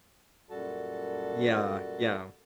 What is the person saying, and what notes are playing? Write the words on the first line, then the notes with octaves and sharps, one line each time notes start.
Yeah, yeah.
F#2 A#2 G3 F#4 A4 A5